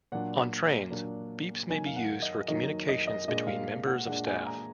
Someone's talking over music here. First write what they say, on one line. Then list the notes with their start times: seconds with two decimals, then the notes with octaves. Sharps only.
On trains, beeps may be used for communications between members of staff.
0.12 A#2 F#3 D4 F#5
0.90 A#2 F#3 D4
1.70 D#3 F#3 A#3 D#4 G#5
1.86 F5
1.96 F#5
2.22 D#5
2.48 D#3 F#3 A#3 D#4 D#5
2.89 D#5
3.07 D#5
3.28 A#2 G#3 D4 D#5
3.47 F5
3.86 F#5
4.07 A#2 G#3 D4 F#5
4.27 G#5
4.46 A#5